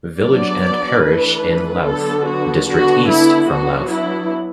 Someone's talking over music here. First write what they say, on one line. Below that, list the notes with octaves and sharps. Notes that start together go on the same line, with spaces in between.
Village and parish in Louth district east from Louth.
F#3 B3 D4 D5
E3 A3 D4 B4
D3 F#3 B3 D4 A4
F#4
D3 B3 D4 F#4
E4
F#3 B3 D4 F#4
E4